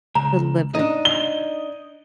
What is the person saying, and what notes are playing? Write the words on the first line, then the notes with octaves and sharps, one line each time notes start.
to live with
C#2 A#5
D4 D#4 D#5
G7